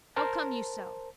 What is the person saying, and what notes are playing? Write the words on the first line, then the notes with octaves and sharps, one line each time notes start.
How come you so?
A#4 C5 A5